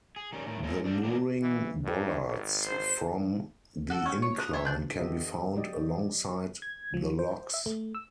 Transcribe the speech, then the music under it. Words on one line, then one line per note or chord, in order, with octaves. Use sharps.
The mooring bollards from the incline can be found alongside the locks.
G#4
D#3 G3 C#4
A2 D#3
F3 G#3 C#4 D#4 A4
G3 C4 D4
B2 E3 F#3 A#3 D4
E3
G2
G#1
C5 C7
F#4 A4
C#4 G5
C#5
A#5 D#6 F#6
C5 C#5 E5
D4 G6
D3 B3 G4 A4 D#5 E5
F#3 G4 D5 D#5
G#6
F3
C5
E5
A3
E6